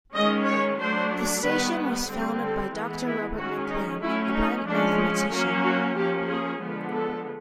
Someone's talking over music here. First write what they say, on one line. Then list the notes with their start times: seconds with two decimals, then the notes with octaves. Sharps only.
The station was founded by Doctor Robert McLean, a blind mathematician.
0.14 D#3 G#3 C#4 D#5
0.46 C#5
0.78 F#3 A3 D4 C5
1.43 D#3 G3 B3 B4
2.09 D3 G3 C4
2.40 A4
2.72 E3 G#3 B3
3.05 E4
3.37 D#3 G#3 C#4 F#4
3.69 D#4
4.01 F#3 A3 C#4 E4
4.34 D#4
4.66 F3 G#3 C#4 D4
5.31 F#3 A#3 C#4
5.63 F#4
5.96 F3 A#3 C#4 G4
6.28 G#4
6.61 D3 F3 G#3 B3 D4
6.93 A4